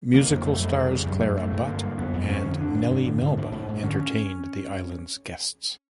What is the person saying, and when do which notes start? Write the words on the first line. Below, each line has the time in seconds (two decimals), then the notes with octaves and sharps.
Musical stars Clara Butt and Nellie Melba entertained the island's guests.
0.13 D3 A#3
0.29 F2
0.37 A#3
0.44 F2 A3
0.60 F2
0.75 C#3 G#3
0.85 F#3
0.91 C#3 G3
1.06 F#2 G3
1.21 F#2 A3
1.37 G2 A3
1.52 G2
1.67 D3 A#3
1.83 G2
1.98 F2 B3
2.13 F2
2.24 C4
2.29 F2 C#4
2.44 D3
2.60 D3 D4
2.75 G2
2.91 G2
3.07 D3
3.22 G#2
3.37 G#2
3.52 G#2
3.68 G#2
3.83 D3 C#4